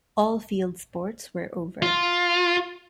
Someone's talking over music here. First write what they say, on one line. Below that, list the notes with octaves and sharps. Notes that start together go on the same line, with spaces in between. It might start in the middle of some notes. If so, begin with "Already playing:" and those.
All field sports were over.
F4